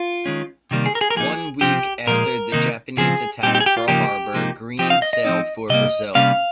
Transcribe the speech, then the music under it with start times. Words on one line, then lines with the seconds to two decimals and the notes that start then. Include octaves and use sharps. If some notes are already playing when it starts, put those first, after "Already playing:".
One week after the Japanese attacked Pearl Harbor, "Greene" sailed for Brazil.
Already playing: F4
0.26 D#3 G#3 C#4
0.71 C3 D#3 G3 A#3
0.86 G#4
0.95 A#4
1.01 G#4
1.10 A#4
1.16 F3 A#3 D#4 G#4
1.61 C3 F3 C4 G4
2.07 A#2 F3 G#3 A#4
2.52 C3 D#3 A#3 D#4
2.97 C#3 F3 C4 G#4
3.43 A#2 G3 C4 D#4 G4
3.55 G4
3.60 G#4
3.66 G4
3.77 F4
3.88 C#3 F3 A#3 D#4 G4
4.34 C3 F3 A#3 D#4
4.79 F3 C4 D#4 G4
4.90 F5
5.02 D#5
5.13 D#5
5.25 F3 C4 D#4
5.69 C3 G3 A#3 D#5
6.15 C3 G3 A#3 C#4 F5